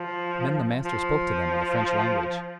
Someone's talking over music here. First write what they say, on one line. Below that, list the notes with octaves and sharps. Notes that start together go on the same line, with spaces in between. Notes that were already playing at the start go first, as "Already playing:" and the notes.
And then the master spoke to them of the French language.
Already playing: F3
F3